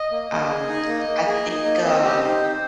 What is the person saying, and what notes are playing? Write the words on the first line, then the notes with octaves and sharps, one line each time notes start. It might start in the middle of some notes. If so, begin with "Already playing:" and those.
Um, I think, uh
Already playing: D#5
A#3
A#3
G#4
D#4
A#3
A#3
G#4
D#4
A#3
C4 D#5
G4
D#4 C5
C4